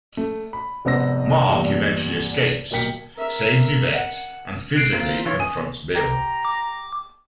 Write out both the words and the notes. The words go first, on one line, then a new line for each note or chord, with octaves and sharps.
Mark eventually escapes, saves Yvette, and physically confronts Bill.
A3
B5
F1 G#2 B3 C5 E6 A#6
E2 G2 A#2
D#1 B1 A#4 G5 B6 C#7
A#4 E5
F#5
F#6 C7 D7
A#3 C4 F4
E3 F4 C#5
G#5 D#6
G4 A#5
D6